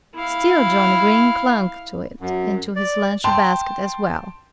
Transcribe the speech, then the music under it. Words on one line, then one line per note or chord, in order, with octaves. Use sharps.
Still Johnnie Green clung to it and to his lunch basket as well.
E4 F5
F#2
D5
G5 A5 C6